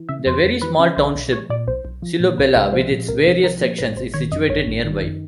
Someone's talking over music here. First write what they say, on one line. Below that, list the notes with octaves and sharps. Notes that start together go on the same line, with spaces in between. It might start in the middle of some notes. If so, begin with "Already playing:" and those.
The very small township Silobela, with its various sections, is situated nearby.
Already playing: E3
C#3 E5
F2 C5
F2
E3 B4
C#3
B1 C5
B1
F3 C#5
A#2 D5
B1 C5
B1
F3
A#2
C2 B4
C2
F3 C5
A#2
C2 A#4
C2
F3 A#4
A#2
G#1 B4
G#1 C5
D#3 C#5
F#2 D#5
G#1 C#5
G#1
D#3
F#2